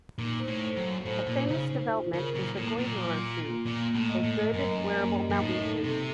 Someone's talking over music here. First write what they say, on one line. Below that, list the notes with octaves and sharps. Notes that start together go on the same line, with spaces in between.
A famous development is the "Goiserer Schuh", a good wearable mountain-shoe.
A#2 D#4
C5
A2
A4
F#2
F5
A2 C5
A#2 D#4
C#3 D#4
C5
F4
C#3 A#4
A#2 F#3
A2 A#3
A#2 F#3
F#3
F4
A#3
A#2 A#3
A#3
A2
D#5
A2
D#5
F#2 A#4
A#4
A#3
D#5
F#2
A2 D#4
A4
C3 A4